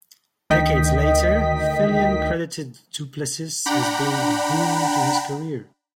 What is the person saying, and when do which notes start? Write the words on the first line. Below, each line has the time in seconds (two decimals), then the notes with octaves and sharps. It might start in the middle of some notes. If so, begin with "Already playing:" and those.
Decades later, Filion credited Duplessis as being a boon to his career.
0.50 D2 D#3 D#5 G5 B6
3.66 D4 F#5 G5 A#5 B5